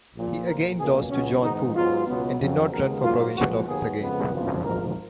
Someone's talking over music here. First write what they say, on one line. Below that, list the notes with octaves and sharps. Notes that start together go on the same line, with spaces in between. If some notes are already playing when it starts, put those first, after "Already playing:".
He again lost to John Poole, and did not run for provincial office again.
A#1 A#2 F3
B1 A#2 F3 A#4
C#2 B2 A#3 G#4
C#2 B2 F#3 B3 C#4
G#2 D#3 G#3 B3 D#4
G#2 F#3 B3 F4
C#2 B2 F#3 B3
F2 C#3 F#3
D#2 C#3 G#3 B3 A#4
G#2 F#3 A#3 F4
B1 A#2 F3 G#3 B3 F#4
D#2 D#3 F#3 B3 G#4
F2 C#3 G#3 B3
G#1 F#2 C#3 F3
G#1 G#2 F3 A#4